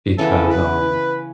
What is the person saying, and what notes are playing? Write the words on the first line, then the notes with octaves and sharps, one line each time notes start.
because, um,
C#3 E3 B3 A4
B4